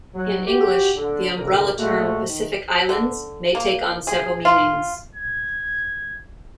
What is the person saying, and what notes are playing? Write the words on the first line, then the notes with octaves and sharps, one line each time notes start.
In English, the umbrella term "Pacific Islands" may take on several meanings.
F#3
F#4 G4
D3
C2 D3 A#4
A#2 G#3 A3 F#4
D#3
D3
A#3
G#4
F4
G#6